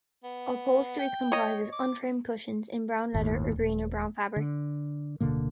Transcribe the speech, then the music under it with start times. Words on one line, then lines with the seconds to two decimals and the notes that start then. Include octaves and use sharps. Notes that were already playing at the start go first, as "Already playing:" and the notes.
Upholstery comprises unframed cushions in brown leather, or green or brown fabric.
0.24 B3
0.99 G5
1.32 C#5 D#5
1.73 D6
3.14 G1 D#2 A2
3.56 D#1
4.36 D3
5.20 D1 B2 D3 A#3